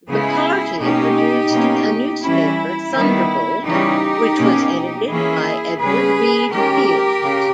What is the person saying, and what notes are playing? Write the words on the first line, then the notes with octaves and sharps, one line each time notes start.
The party produced a newspaper, "Thunderbolt", which was edited by Edward Reed Fields.
C#3 G#3 B3 E4 G#4
B2 A#3 C#4 D#4 G4
B2 A#3 C#4
E3 G3 C#4 E4
D#3 G3 B3 E4
C#3 E3 G3 C#4 D#4 G4
B2 A#3 C#4
E3 A#3 C#4 E4 G#4
C#3 G3 C#4 G#4 B4
D#3 G#3 C#4 G4 A#4
C#3